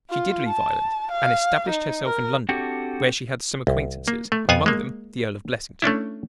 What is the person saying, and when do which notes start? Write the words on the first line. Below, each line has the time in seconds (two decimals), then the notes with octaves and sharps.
She did leave Ireland and establish herself in London, where she had some acquaintances, among them the Earl of Blessington.
0.10 F4
0.48 A5
1.12 F5
1.70 D#4
2.06 A#4
2.49 C4 D4 F#4 G4 A4
3.67 C2
4.08 A#3
4.32 A3
4.49 F2 B3 F4 F5 F#5 G#5
4.66 G#3 A#3
5.82 A3 C#4 D4 E4